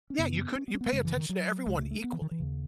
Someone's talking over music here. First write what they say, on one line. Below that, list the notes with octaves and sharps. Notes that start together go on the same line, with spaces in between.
Yeah, you couldn't you pay attention to everyone equally.
C#4
F#2 C#3 B3
C#4
B3
C#4
B3
A3
F#2 C#3 G#3
E3
D#3
F#3
C#2 C#3 G#3
A3
A3
B3
E3
D#3
E3
D#2 C#3